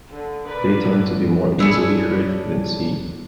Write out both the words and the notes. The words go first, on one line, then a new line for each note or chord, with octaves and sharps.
They tend to be more easily heard than seen.
D3
A#4 B4 D5
A2 D3
D4 E4 G#4 C#5